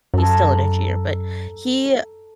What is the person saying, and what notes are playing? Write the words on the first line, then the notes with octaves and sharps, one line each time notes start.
He's still an engineer, but he
F#2 A4 A#5